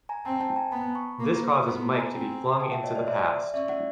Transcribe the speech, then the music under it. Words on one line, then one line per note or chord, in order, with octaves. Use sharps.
This causes Mike to be flung into the past.
G#5 A#5
C4 G5 A5
G5 A5
G#5 A#5
B3 A5 B5
B5 C#6
A#3
B3 A#5 C6
A5 B5
G#5 A#5
C4
G5 A5
E5 F#5
C#5 D#5
C5 D5
D5 E5
C#4 D5 E5
E5 F#5